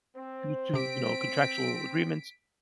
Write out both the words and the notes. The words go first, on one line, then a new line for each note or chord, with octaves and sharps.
due to, you know, contractual agreements
C4 C5
C3 G4 B6 D7